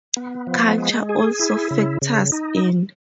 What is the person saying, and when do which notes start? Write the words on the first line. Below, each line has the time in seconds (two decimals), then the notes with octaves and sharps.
Culture also factors in.
0.17 B3
0.47 F3
0.78 G#3
1.09 G#4
1.39 E4
1.71 C#3
2.02 C#3
2.32 D#4